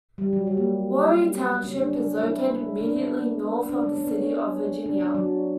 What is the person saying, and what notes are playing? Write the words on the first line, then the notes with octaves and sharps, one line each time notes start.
Wuori Township is located immediately north of the city of Virginia.
G3
F#3
G3
A#3
C#4
D4
D4
E4
D4
B3
D4
C#4
B3
C#4
D4
D4
D4
F#3